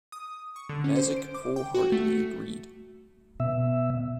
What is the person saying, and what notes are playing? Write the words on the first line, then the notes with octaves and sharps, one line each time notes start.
Mazich wholeheartedly agreed.
D#6
C#6
D3
C#4
C5
D7
D6
G5
F#4
A3
C#7
B2 E5